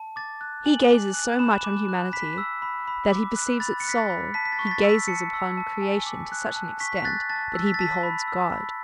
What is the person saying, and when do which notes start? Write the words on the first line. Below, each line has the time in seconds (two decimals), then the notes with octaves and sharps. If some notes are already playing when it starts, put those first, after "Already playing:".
He gazes so much on humanity that he perceives its soul, he gazes upon creation to such an extent that he beholds God.
Already playing: A5
0.16 D6 A6
0.41 F#6
0.66 G#5 F#7
0.90 D6
1.14 F#6
1.39 B5 E7
1.64 D6
1.89 F#6
2.13 B5 B6
2.38 E6
2.62 B5
2.88 B5
3.12 D6
3.36 F#6
3.60 B5 A6
3.80 C#7
3.85 F#6 B6
3.98 A6
4.10 B5
4.34 A5 B6
4.45 B6
4.52 A6
4.59 C#6
4.67 B6
4.71 A6
4.84 E6
4.89 B6
5.08 A5 C#7
5.33 E6
5.57 A5
5.82 G#5
6.06 D6
6.32 F#6
6.56 A5
6.80 C#6 B6
6.97 B6
7.04 F#6 A6
7.29 A5 A6
7.54 E6
7.66 B6
7.74 A6
7.79 A5 B6
8.03 B5
8.28 E6
8.52 B5